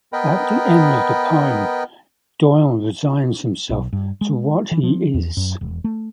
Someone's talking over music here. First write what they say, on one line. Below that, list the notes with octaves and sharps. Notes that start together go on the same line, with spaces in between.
At the end of the poem, Doyle resigns himself to what he is.
B3 A#4 B4 D#5 G5 B5
B1
G2
G#3
E3
F3
E2
F#2
E1
A3